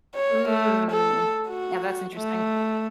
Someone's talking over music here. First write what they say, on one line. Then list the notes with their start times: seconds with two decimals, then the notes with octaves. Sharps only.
Mm. Yeah, that's interesting.
0.15 C#5
0.49 A3
0.91 A4
1.48 F#4
2.17 A3